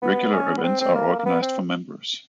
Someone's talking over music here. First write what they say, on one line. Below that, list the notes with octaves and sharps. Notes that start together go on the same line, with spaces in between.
Regular events are organised for members.
B3
C#4
B3
C4
C4
A#3
A#3
B3
C4